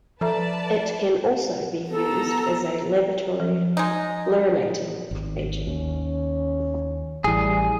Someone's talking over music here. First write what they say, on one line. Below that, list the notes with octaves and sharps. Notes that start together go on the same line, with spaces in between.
It can also be used as a laboratory fluorinating agent.
F3 A4 B4 D5 E5 A5 A#5
B3 A4 A#5
F3
G#3 D#4
G#1
D#2 C#4
A1 E3 G3 G#4